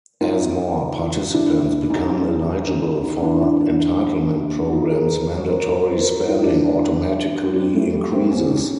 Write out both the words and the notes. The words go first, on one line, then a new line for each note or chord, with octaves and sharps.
As more participants become eligible for entitlement programs, mandatory spending automatically increases.
D#4 F4
D4 E4
C#4 D#4
C#4 D#4
D4 E4
D4 E4
D4 E4
F#4
D#4 F4
G#4 A#4
B4
G#4 A#4
C#5
A#4 C5
A#4 C5
B4 C#5
A#4 C5
A4 B4
D#4 F4
D4 E4
C4 D4
G3 A3
G3 A3
A#3 C4
B3 C#4
C#4 D#4